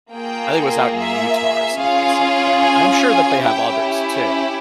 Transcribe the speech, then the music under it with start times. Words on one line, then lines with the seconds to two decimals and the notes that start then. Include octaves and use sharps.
I think it was out in Utah or someplace like that, and I'm sure that they have others too,
0.13 A#3 F4 G#4 G5
0.95 E5
1.77 C#4 F4 G#4 F5
2.59 G#5
3.41 C#4 E4 G4 G5